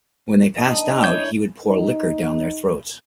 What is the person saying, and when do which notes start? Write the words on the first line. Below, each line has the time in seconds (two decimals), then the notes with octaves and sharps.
When they passed out, he would pour liquor down their throats.
0.58 D#3 D4 D#5
1.04 E4 G#4 C#5 D5 G6
1.66 D#4